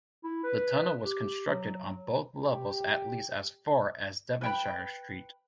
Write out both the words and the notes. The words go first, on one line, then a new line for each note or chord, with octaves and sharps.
The tunnel was constructed on both levels at least as far as Devonshire Street.
E4
B4
G4
F#3
G4
B4 G5 B5